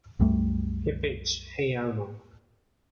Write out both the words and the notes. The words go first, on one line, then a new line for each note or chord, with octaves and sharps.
He pitched Hey Arnold!
C2 F#2 G3 A3